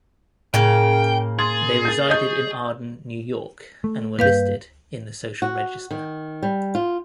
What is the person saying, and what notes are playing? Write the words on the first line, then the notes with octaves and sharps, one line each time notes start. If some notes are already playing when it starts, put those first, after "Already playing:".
They resided in Arden, New York and were listed in the Social Register.
A2 C#3 A#3 G5
G#4 C6 G#6 A6
G6 A6
D#5 C#6 D#6 G6
A3
G2 A#3 B4 F5 G6
F#4
D#3
G3
F4